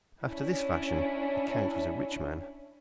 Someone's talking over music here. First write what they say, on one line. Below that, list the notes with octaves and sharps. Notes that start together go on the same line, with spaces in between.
After this fashion the count was a rich man.
C#4 D4 E4